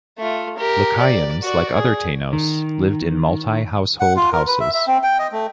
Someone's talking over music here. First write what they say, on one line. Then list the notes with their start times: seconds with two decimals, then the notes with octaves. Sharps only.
Lucayans, like other Tainos, lived in multi-household houses.
0.18 A3 F4
0.57 G4 A#4
1.00 D5
1.43 F#4 D5
1.74 G#4
2.33 D#3
4.00 F#5
4.16 F4
4.32 A#4
4.47 B4
4.60 E5
4.74 E5
4.87 C4
5.03 G5
5.19 D#5
5.32 A3